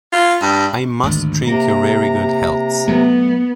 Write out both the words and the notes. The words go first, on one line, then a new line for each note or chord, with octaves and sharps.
I must drink your very good healths.
F4
G2
G#1 D2
C3 A#3 A#5
F#3 A3 B3